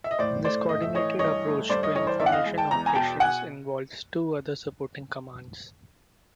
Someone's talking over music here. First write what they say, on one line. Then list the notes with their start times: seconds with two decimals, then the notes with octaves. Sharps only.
This coordinated approach to information operations involves two other supporting commands.
0.04 E5
0.11 D#5
0.19 A2 C5 D5
0.44 A3 C5 D5
0.69 A2 D#5
0.82 E5
0.95 E3 C#5 D#5
1.19 G2 C#5 D#5
1.45 A3
1.69 G2 C5 D5
1.83 C#5 D#5
1.95 E3 C#5 D#5
2.07 C5 D5
2.20 E2 D5 E5
2.26 F#5
2.32 D#5 F5
2.46 G#3
2.58 G5 A5
2.71 E2 A#5
2.86 G#5 A#5
2.95 B2 G5 A5
3.20 F#5 G#5